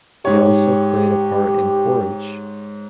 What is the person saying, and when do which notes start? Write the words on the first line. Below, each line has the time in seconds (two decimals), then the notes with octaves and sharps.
He also played a part in "Porridge".
0.25 G#2 G4 C#5